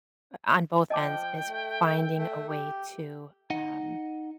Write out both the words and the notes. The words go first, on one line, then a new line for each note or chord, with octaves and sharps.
on both ends, is finding a way to, um
F3 D#5 G5 A5 D6
A3
A3
G4
D#4 D#5 F#5